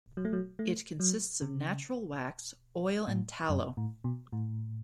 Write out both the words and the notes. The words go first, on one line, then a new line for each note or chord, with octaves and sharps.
It consists of natural wax, oil and tallow.
F#3
A3
F#3
A3
F#3
C#3
A2
F#2
A2
B2
A2